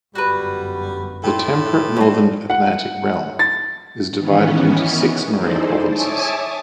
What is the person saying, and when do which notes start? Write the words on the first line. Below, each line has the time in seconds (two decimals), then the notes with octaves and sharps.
The Temperate Northern Atlantic realm is divided into six marine provinces.
0.15 G1 F#2 G3 F#4 B4
1.24 A2 G5 C6
1.96 G3 C4 C#4
2.50 F#5
3.39 A6
4.17 D#3 E3 B3 C#4
5.36 D#4 E4 G#4 A4 C5 D5
5.87 C#5 E5 G#5 A5 D6 D#6